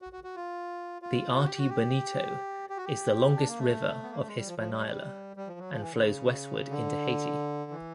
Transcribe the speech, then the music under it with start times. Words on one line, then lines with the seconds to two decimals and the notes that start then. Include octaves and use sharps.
The Artibonito is the longest river of Hispaniola and flows westward into Haiti.
0.02 F#4
0.13 F#4
0.24 F#4
0.36 F4
1.02 F4
1.36 F#4
1.47 G4
1.58 F#4
1.69 G4
2.70 G4
2.77 F#4
2.85 G4
3.36 D4
3.47 A#3
3.58 A3
4.03 B3
4.11 A#3
4.19 A3
4.28 G#3
4.36 G3
4.48 F3
4.59 F3
4.70 G3
5.37 G3
5.48 F3
5.59 F#3
5.70 F3
5.81 E3
5.93 D3
6.04 C#3
6.71 D3
7.71 E3